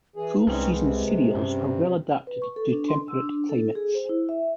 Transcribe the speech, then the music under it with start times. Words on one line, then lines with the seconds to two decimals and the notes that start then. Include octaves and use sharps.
Cool-season cereals are well-adapted to temperate climates.
0.16 E3 G#4 B4
0.47 C2 G#3 C4 C#4 D#4
0.77 C3
1.35 G2 C#4
2.27 B4
2.42 C#6
2.56 A4
2.72 D4
2.88 C6
3.08 E6
3.22 D4
3.49 A4
3.75 G#4
3.95 C5
4.09 E4
4.29 E5